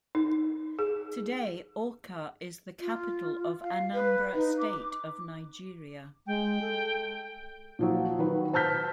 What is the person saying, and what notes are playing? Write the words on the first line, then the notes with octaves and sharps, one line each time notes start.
Today, Awka is the capital of Anambra state of Nigeria.
D#4
G#4
F4
F5
B4
D#4
D6
G#3 G5
A4
A#2 F3 F#3
D#3 F#3 B4
C5 A5 F6 G6 B6